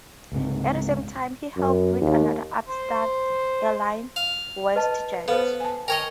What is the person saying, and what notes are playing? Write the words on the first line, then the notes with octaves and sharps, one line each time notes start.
At the same time, he helped with another upstart airline, WestJet.
C#2 G#2 C3
F#2
D#2
C5
F5
B4 D#5 A5
B3 A4 B4 C5 F5
G#5 A5
A#4 C#5 D#5 G5 G#5